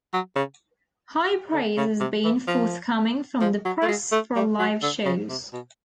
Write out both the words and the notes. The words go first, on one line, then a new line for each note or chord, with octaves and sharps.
High praise has been forthcoming from the press for live shows.
F#3
C#3
D3
C#3
C3
E3
F3
F3
F#3
A3
G#3
A3
G3
F#3
D3
C#3
C3
B2